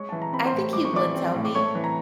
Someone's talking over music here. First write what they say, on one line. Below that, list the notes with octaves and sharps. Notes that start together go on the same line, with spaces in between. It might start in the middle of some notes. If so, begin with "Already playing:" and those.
I think he would tell me.
Already playing: G#3 C#5 C#6
E3 A5
A#5
C4 B5
C5 C6
A2
G#3 D6
C#6
E3 D5 D6
C4
A2
D6
A3 C#5 C#6
E3
A#5